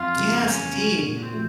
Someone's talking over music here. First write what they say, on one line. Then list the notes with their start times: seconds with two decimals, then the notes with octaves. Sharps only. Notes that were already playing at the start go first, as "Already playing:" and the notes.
Yes, indeed.
Already playing: F2 F4
0.16 C#3 F3
0.39 C4
0.44 F2 C#4
0.73 C#3 F3
1.02 A#2
1.22 C4
1.31 F3 A3